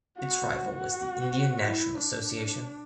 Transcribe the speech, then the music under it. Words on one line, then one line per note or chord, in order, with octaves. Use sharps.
Its rival was the Indian National Association.
F#4
F#4
E4
D4